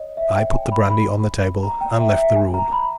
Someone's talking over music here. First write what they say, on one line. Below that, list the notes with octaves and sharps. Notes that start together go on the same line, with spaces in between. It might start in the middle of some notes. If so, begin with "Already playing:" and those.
I put the brandy on the table and left the room.
Already playing: C#5 D#5
E5
G5
G#5
B5
B5
A#5
G5
E5
E5
G#5
A#5
B5